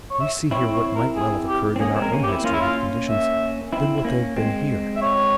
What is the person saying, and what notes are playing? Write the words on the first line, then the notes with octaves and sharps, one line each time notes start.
We see here what might well have occurred in our own history had conditions been what they have been here.
C#5
E5
C4 E4 C#5
C#5
A#4
G#4
G4
C4
A#3 C#4 G#4
G#3 C4
A#4
A#3 C#4
G4
C4 E4
A#3 C#4 F4
E4
F4
E5
C4 E4
E4
A#3 C#4
G#3 C4
E5
C#5